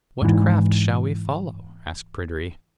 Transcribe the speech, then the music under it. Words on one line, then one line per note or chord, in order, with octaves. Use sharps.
'What craft shall we follow?' asked Pryderi.
G#2 E3